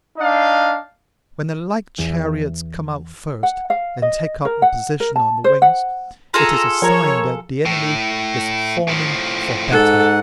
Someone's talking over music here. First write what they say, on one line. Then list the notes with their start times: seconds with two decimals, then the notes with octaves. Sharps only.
When the light chariots come out first and take up a position on the wings, it is a sign that the enemy is forming for battle.
0.18 D4 D#4 F5
1.99 E2
3.43 F#5
3.70 F5
4.02 D#5
4.45 A#4
4.62 F#5
5.00 A#4
5.16 A5
5.44 C5
5.62 F#5
6.34 F4 G#4 A4 A#5
6.82 F3 A#4 C#5 A#5
7.66 A2
8.88 A2 F3
9.72 G#2 A4 F#5